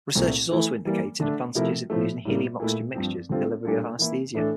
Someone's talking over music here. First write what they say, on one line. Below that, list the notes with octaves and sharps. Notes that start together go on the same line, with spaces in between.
Research has also indicated advantages in using helium-oxygen mixtures in delivery of anaesthesia.
C2 A#2 A3 C4
E3 A3 E4
E3 G3 A#3
D3 A3 D4
C3 F3 A3 E4 A#4
A2 F3 A3
A2 G3 A#3
A#2 A3 E4
G2 F3 C4
D3 G3 C4 F4 A4
A#2 G3 D4 F4 A4
E3 A#3 E4
A2 E3 A3 D4 A4